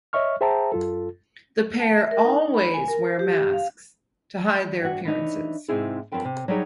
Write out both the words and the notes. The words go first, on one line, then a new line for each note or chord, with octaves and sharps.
The pair always wear masks to hide their appearances.
C#5 D#5 E5 C#6 F6
G#4 C5 E5 G5 A5 A#5
F#2 F4 A4
A5
E5
A#4
D#4
B5
G#5
A#4
C5
G4
F5
G2 F#4
E3 D4 D#4 C#5
G#2 C3 C4 D#4 E4 G#4
F#2 F3 C4 B4 G5
C3
F#3 G3 D#4 G4 G#4 C#5